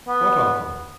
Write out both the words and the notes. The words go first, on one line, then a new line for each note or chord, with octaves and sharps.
"What uncle?"
B3